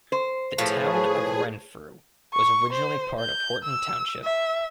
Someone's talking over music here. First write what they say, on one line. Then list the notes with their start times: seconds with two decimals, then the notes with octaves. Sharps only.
The Town of Renfrew was originally part of Horton Township.
0.12 C5
0.58 A2 F3 G#4 B4 C#5 A5
2.34 C#6
2.73 C5
3.20 G6
3.64 E6
4.24 E5